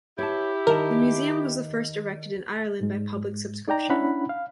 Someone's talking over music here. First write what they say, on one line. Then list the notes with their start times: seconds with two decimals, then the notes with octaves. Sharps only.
The museum was the first erected in Ireland by public subscription.
0.18 E4 G4 C#5 A5
0.67 D#3 A#4 D#5 A5
2.81 G#2 G#3
3.68 D#4 D5 G5 A#5
3.90 C#4 D4 E4 F#5 B5
4.29 F5